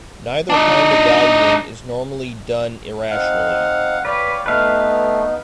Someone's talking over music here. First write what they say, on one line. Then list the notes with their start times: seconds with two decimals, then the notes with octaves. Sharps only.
Neither kind of valuing is normally done irrationally.
0.50 D4 D#4
3.11 C4 D#4 F5 F#5
4.05 B4 C#5 D5 F5 G5
4.46 A3 B3 D#4 B4 F5